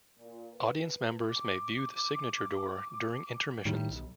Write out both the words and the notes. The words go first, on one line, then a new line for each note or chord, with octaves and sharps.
Audience members may view the signature door during intermissions.
A#2
B4
D6
A2 D#3 G3
B1